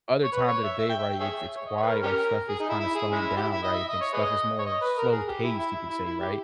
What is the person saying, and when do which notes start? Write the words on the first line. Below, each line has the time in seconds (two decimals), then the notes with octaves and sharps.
other times of the day, right, it's it's quiet, like, stuff is kinda slowing down, right? I think stuff is more slow-paced, you could say, right?
0.24 C#5
0.32 B4
0.48 C#5
0.64 E5
0.79 E5
0.89 G5
0.99 E5
1.09 G5
1.20 G#4 C#5 E5
1.57 C#5
1.67 D#5
1.77 C#5
1.82 B4
1.87 A#4
2.03 C#4 G4 A#4
2.49 G#4
2.60 D#4
2.69 E4
2.80 E4
2.95 G#4
3.12 G#3 C#4 E4
3.37 G4
3.42 E4
3.52 E4
3.63 D#5
3.73 E5
3.89 D#5
4.01 C#5
4.13 G#4 B4 D#5
4.59 C#5
4.66 D#5
4.81 B4
4.98 A#4
5.12 G#4
5.28 G4
5.44 E4
5.58 E4
5.74 E4
5.90 E4
6.05 E4
6.21 G4